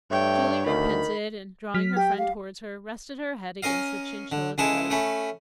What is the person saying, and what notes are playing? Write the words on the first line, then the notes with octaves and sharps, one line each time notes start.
Julie repented, and, drawing her friend towards her, rested her head against the chinchilla cloak.
G2 A3 C#5 G5
D2 D#3 B5
F#3 F6 B6
G4 G5
F5
C#4 A#4 D#5 F5
D3
C#2 G#3 E4 G#4 A4
A3 C#4 B5